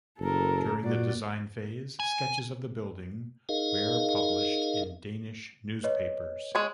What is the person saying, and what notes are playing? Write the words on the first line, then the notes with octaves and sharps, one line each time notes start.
During the design phase sketches of the building where published in Danish newspapers.
F#1 A4 A#4
A#2 F#4 D5
G#5
D#4 G#4 A#4 D#5 F5
B4 C#5 D#5
G#3 C#5